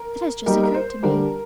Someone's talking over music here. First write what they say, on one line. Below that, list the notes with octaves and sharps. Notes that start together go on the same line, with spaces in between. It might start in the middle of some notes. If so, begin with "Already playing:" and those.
It has just occurred to me!
Already playing: A#4
G3 A#3 D#4 G4 A#4
A#4
C5
D3 G3 D4 G4 A#4